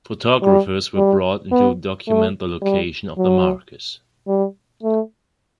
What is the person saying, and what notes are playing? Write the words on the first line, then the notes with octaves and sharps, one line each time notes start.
Photographers were brought in to document the location of the markers.
G3
G3
B3
A3
G3
F#3
G3
A3